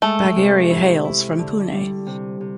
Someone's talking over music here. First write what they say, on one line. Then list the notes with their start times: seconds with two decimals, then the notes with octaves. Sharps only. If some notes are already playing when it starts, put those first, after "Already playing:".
Bagheri hails from Pune.
0.02 G#3 A3
0.36 C3
0.70 E4
1.04 E4
1.38 D3
1.72 G3
2.07 C3
2.41 C3